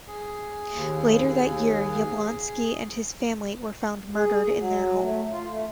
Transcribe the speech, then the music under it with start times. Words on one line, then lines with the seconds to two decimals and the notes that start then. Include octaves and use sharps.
Later that year, Yablonski and his family were found murdered in their home.
0.08 G#4
0.72 D#2
4.14 G#4
4.42 G#4
4.59 F#3
5.03 A3
5.32 F4
5.51 A3